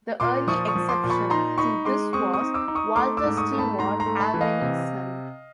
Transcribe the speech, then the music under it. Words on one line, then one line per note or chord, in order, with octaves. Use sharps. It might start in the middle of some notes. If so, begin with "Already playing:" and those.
The early exception to this was Walter Stewart, Albany's son.
A#2 C6 D6
F3 C#6 D#6
C#6 D#6
F3
C6 D6
A#2
B5 C#6
D#4 A#5 C6
D#4 B5 C#6
G#3 C6 D6
C4 C#6 D#6
C#6 D#6
D#4
D6 E6
D#4
C#6 D#6
A3 C6 D6
D6 E6
G#2
C#6 D#6
A3
A5 B5
G#2 A#5 C6
A#5 C6
A3
A5 B5
E3
D#5 F5
C3